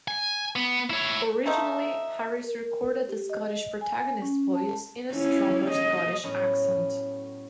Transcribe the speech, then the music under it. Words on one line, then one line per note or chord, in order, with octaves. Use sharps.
Originally, Harris recorded the Scottish protagonist's voice in a stronger Scottish accent.
G#5
B3
E4 C#5
F3 A3 D#4 E5
A#4
G4
D#5
G#5
C#4
A5
C#4 E4
D#5
A2 F#3 B3 C#4